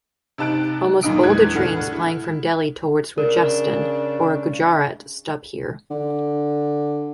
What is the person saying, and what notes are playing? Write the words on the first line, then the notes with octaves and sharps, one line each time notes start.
Almost all the trains plying from Delhi towards Rajasthan or Gujarat stop here.
C3 D#4 A5 F#6 D7
F#2 A#2 D#3 D#4 D#6 D7
E2 E3 G#3 F#6 G#6
A2 D4 A4 F#5 F6
E4
C#3 D4 A#4
D3